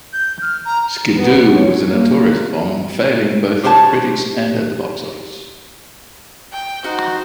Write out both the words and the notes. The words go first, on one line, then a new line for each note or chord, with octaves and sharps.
"Skidoo" was a notorious bomb, failing both with critics and at the box office.
G6
F6
A#5
B3
C#5
A#3
G4 C5 C#5 F5 A5
G5
D#4 F#4 C5